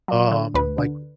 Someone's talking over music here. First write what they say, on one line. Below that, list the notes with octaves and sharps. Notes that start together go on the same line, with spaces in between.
um, like,
F#3
D3
D2 B4
D3